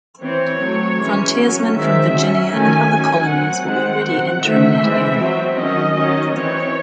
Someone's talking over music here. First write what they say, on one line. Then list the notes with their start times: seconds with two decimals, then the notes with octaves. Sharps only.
Frontiersmen from Virginia and other colonies were already entering that area.
0.21 E3 C4 C#5
0.60 F#3 A3 C4
0.98 E3 G#3 C#4
1.37 F#3 C#4
1.74 D#3 G#3 C4 E5
2.13 F#3 C#4
2.51 D#3 A3 C#4 G#5
2.90 F#3 C#4
3.27 F#3 C4 F#5
3.65 D#3 G#3 C4 F#5
4.04 F#3 C4
4.41 D#3 A3 C4 E5
4.80 E3 G#3 C4
5.18 F#3 C4
5.56 D#3 F#3 C#4 D#5
5.94 D#3 F#3 C#4
6.32 E3 C4 C#5